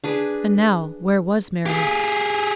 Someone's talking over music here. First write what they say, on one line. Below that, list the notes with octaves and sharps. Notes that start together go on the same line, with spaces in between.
And now, where was Mary?
D4 G#4 B4
A#3 G4 G#4